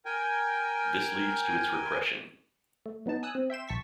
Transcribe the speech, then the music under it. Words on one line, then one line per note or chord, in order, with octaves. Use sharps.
This leads to its repression.
A#4 G5 G#5
A3
F#3 B3 D#4 A5
G#5 D#6 E6 F#6
C4
E5 G5 C6 E7
A#1 A5 C#6 B6